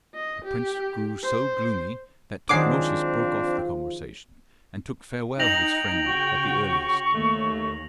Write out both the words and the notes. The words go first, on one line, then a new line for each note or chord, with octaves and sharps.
The prince grew so gloomy that Tutmosis broke off the conversation and took farewell of his friend at the earliest.
D#5
G4
C5
D#3 F3 F#3 G#3 C4 D4 D6 C7
D#4 G5 A#6 F7 F#7
C#3 F#4 C#6
D#2 A3